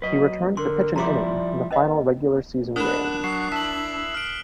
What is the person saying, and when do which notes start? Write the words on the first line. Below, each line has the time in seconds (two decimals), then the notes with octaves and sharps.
He returned to pitch an inning in the final regular season game.
0.02 F#3 B4 D#5
0.57 D3 A#4 C6
0.96 C#3 F3 G3 E4 A#5 C6 D6
1.13 D5
1.71 C#4 B4 D#5 F#5
2.76 D4 A#4 F#5 B5 D#6 F#6 E7
3.24 F#3 C#6 C7
3.52 E4 A5 B6 F#7
4.14 F6 D7